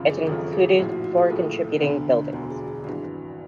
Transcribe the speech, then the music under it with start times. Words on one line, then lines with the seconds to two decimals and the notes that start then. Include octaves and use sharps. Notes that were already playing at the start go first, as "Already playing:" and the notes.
It included four contributing buildings.
Already playing: G#1 F#2 C#3 F3
0.10 G#4
0.27 G#1 F#2 C#3 F3 A4
0.53 G#4
0.79 A#1 A2 F3 F#4
0.92 F#4
1.04 F#4
1.18 G#4
1.30 A#1 A2 F3 A4
1.82 E1 D2 D3
2.33 E1 D2 D3 F#4
2.51 G#4
2.68 G#4
2.84 G#1 G2 E3 F#4